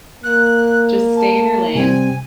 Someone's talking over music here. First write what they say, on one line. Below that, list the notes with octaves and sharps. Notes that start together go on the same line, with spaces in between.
just stay in your lane
A#3 F#6
A5
C3 G3 C4 G#5